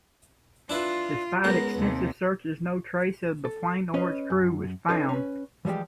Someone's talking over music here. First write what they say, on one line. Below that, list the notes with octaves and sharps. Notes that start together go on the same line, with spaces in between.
Despite extensive searches no trace of the 'plane or its crew was found.
D4 E4 F4 B4
C#2 B3 A#4
D#2 C3
A4
C#4 B4 D#5
F#2
C#4 D#4 A4 B4
C#4 B4
E3 F3 G3 G#3 G4